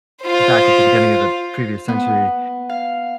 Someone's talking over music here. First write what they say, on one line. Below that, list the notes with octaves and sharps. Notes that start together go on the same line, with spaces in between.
back at the beginning of the previous century,
F4 C5
B3
F5